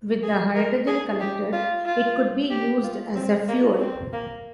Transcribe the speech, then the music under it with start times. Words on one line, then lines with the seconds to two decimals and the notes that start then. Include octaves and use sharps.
With the hydrogen collected, it could be used as a fuel.
0.24 G#4
0.55 A#4
0.87 G#4
1.20 G4
1.53 F4
1.86 F4
2.50 G4
2.83 F4
3.16 C4
3.48 A#3
3.80 C4
4.13 A#3